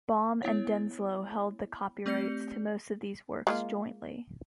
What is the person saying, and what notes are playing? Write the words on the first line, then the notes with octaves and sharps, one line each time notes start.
Baum and Denslow held the copyrights to most of these works jointly.
B3 E4 C#5
A3 C4 G4 D5 G6 C#7
G#3 A#3 F4